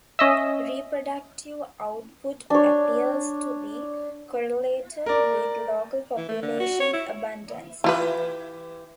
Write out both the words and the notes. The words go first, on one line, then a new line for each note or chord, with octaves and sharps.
Reproductive output appears to be correlated with local population abundance.
C#4 D#5 E5
D4 C#5
A#4 D5
E3
A3
D3
F#4
C#5
E4
E3 E4 F4 G4 B4